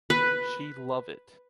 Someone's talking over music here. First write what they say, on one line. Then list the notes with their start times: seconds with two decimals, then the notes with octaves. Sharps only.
She love it.
0.10 B4